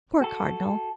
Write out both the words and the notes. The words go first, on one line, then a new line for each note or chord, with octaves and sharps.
Poor cardinal!
F#4 A4